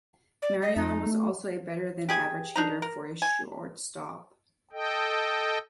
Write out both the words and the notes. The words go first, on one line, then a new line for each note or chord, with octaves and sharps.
Marion was also a better-than-average hitter for a shortstop.
D5
D#5
F2 D#4
A3
G4 G#4 G#5
D4 D#4 A#5
A#4
G#5
A4 D#5 G5